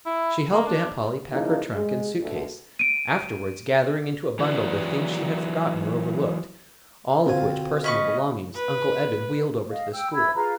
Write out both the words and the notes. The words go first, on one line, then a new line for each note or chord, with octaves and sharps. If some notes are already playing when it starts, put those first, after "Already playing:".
She helped Aunt Polly pack her trunk and suit case, afterwards gathering into a bundle the things she had forgotten or overlooked, all of which personal belongings Uncle Eben wheeled over to the school.
E4
A#3
D4
C#3 F3 A#3 D#4 E4
G#3
D2 B2 A4
D7 D#7
E3 F#3 E4 B4 D5
B1 D3 C4 F4 G#5
C#4 B4 D#5 C#6
B4
D#5 F5
G5 E6
E4 B5 E6 G#6
F4 G#4 B4 A#5